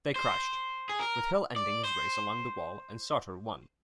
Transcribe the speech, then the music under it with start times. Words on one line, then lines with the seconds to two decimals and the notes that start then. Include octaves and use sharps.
They crashed, with Hill ending his race along the wall and Sauter won.
0.16 C5
0.89 G#4
1.00 A#4
1.56 D5
1.84 C5